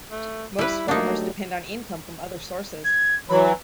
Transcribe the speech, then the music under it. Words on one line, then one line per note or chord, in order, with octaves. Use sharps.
Most farmers depend on income from other sources.
A3
G3 E4 B4
F#3 G3 A3 A#3 D4 D#4
G#6
E3 F#3 B5